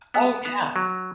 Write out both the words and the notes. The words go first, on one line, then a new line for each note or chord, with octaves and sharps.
Oh, yeah.
B3
B3
F#3